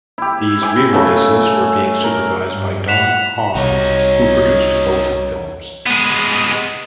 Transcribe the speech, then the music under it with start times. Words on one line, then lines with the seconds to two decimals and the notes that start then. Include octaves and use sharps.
These re-releases were being supervised by Don Hahn, who produced both films.
0.18 E4 G4
0.62 E4 G4 E5 G#5
0.93 F#2 C#3 A3 A5
2.04 A#4
2.53 G2
2.88 F#5 B6 E7 F7
3.55 C2 C3 D#4 F#4 C#5
5.86 G#3 B3